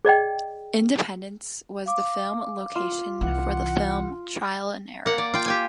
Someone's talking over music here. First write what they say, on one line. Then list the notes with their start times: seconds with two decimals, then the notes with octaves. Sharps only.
Independence was the film location for the film "Trial and Error".
0.05 G#4 D5 D#5 G5
1.86 F5 D6
2.75 F4
3.21 C2 E3 F#5
5.06 A#3 F#5
5.18 D5
5.34 F4 G5
5.46 G4 G5 G#5